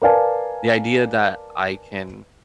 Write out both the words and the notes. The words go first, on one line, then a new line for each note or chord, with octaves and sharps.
The idea that I can
A#4 B4 D5 F5 G#5 A5